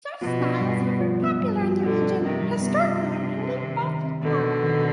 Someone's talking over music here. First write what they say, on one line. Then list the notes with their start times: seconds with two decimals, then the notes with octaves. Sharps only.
Such styles have been popular in the region, historically including Baltic porter.
0.21 B2 F3
0.41 D4
0.60 G2
0.81 B3
1.00 F3
1.22 B3
1.40 G2
1.62 F3
1.81 B2 D3 F3
2.02 D4
2.21 C3 D#3 D4
2.41 G2
2.61 C3 B3
2.82 F3
3.02 D4
3.22 D4
3.42 C4
3.62 D#3
3.82 D#3
4.02 C4
4.22 B2 D3 D#3
4.42 D#3
4.62 D#3